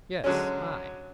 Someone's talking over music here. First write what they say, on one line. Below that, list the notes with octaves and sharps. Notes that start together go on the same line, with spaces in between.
"Yes, I!"
D3 F#3 G#3 C#4